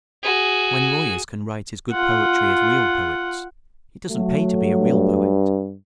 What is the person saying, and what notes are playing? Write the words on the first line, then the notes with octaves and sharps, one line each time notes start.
When lawyers can write as good poetry as real poets, it doesn't pay to be a real poet.
F#4 G#4
F4 F#5
F#3 A3
G2